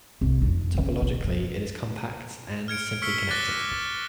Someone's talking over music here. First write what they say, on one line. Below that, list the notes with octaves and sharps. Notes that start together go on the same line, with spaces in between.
Topologically, it is compact and simply connected.
C2
F2 D#4
C#3 C#4
D#3 A#3
F3
F6 G#6 C#7 D7
C#6 E6 F6 B6 C#7 G7
D6 F#6 A6 A#6 G7